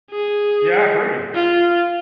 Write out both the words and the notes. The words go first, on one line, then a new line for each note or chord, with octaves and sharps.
Yeah, I agree.
G#4
F4